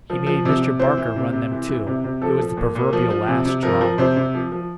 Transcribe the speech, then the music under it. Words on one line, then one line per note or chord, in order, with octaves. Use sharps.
He made Mr. Barker run them too--it was the proverbial last straw.
F3
F3
C3
C3
E3 C5
E3
C3
C3
E3
E3
C3
C3
F3 A4
F3
A#2
A#2
F3
F3
C3
C3
F3 A#4
F3
C3 C5
C3
F3
F3